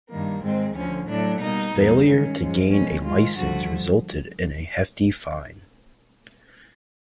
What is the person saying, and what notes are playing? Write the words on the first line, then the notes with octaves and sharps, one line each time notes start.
Failure to gain a licence resulted in a hefty fine.
G2 D#3 G3 A#3
G#2 D#3 G#3 C4
D2 D3 F3 C#4
A2 F#3 A3 D4
B2 G3 A#3 D#4
E2 B2 G3 A#3
G2 D#3 G#3 C#4
G#2 F3 G#3
B2 G#3 C#4
G#2 D#3 G#3 F4
G2 D3 F3 A3 F#4